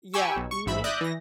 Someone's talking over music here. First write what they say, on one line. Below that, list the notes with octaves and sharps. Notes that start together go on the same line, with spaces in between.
Yeah. Mhm.
G4 G5 G#5 B5 C#6 E6
B1
C#6
A1 G#2 E5 B5
D5 E5 D#6 F#6 G6 A#6
E3 A#6